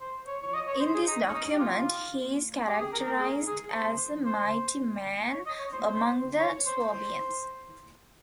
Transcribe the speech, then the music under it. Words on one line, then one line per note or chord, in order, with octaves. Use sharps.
In this document he is characterized as a "mighty man among the Swabians".
C5
C#5
C#5
D#5
C#5
C5
G#4
D#4
C#4
D#4
G4
F4
G4
G#4
A#4
A#4
G#4
G#4
C5
C5
C#5
D#5
C#5
C5
C5
C#5
C5
C5